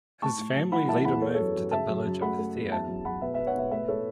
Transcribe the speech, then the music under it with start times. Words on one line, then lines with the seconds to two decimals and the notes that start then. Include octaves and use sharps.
His family later moved to the village of Athea.
0.22 A2 A5 C#6
0.38 A2
0.55 F#3
0.72 E3 F#5 B5
0.88 E3 E5 A5
1.05 E2 F#5 B5
1.22 B3 A4 C#5
1.34 A4 C#5
1.39 F#2
1.55 F#2
1.71 C#3 E5 A5
1.88 F#2
2.05 F#2
2.22 A3 F#5 B5
2.39 A3
2.55 E2
2.71 F#2 E5 A5
2.88 F#2
3.05 F#2 F#5 B5
3.21 B2 B4 E5
3.34 B4 E5
3.38 B3
3.47 C#5 F#5
3.55 B2 B4 E5
3.71 A3 B4 E5
3.88 A2 A4 C#5